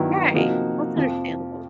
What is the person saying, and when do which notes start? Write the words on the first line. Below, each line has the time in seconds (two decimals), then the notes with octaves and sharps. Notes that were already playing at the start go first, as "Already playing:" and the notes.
Right, that's understandable.
Already playing: G2 D#3 F#3 B3 E4
0.34 C3 F3 A#3 D#4 F#4
0.96 F2 C3 F3